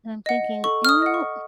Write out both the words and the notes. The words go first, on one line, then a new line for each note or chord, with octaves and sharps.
and I'm thinking, "Ew!"
D#5 F#5
A4 C#6
F6
D#6
D#5 F#5
C#6